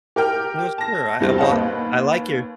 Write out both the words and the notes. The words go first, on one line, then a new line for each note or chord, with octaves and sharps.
No, sure. I I well, I like your
G4 A#4 G5 F6
A5 A#6
E2 G2 G3 C4
C5 D#5 F5 F#5 A5
D#2 B4